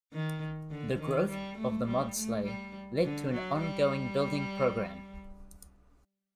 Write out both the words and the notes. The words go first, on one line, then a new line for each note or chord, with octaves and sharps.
The growth of the Maudsley led to an ongoing building programme.
D#3
D3
D#3
G3
A3
G3
A3
G3
D3
F#3
G3